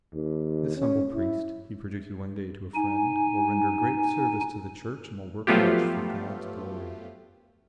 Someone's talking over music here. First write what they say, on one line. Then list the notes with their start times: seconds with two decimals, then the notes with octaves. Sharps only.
"This humble priest," he predicted one day to a friend, "will render great service to the Church and will work much for God's glory."
0.14 D#2
0.77 C#4
1.14 E4
2.75 D#4 G#5
5.47 F3 F#3 A3 B3 F4 G4